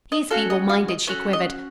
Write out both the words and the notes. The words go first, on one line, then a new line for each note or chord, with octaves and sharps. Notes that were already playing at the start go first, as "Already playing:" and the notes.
"He's feeble-minded," she quivered.
D#5
C#4 F#4 A4 F5
D#5
F5
D#5
C#4 F#4 A4 C#5
D#5